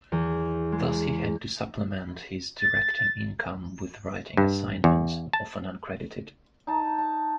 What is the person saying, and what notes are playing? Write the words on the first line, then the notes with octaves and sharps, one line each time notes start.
Thus, he had to supplement his directing income with writing assignments, often uncredited.
E2
G#3
A6
G2
E2
A5
D#4 A5
A5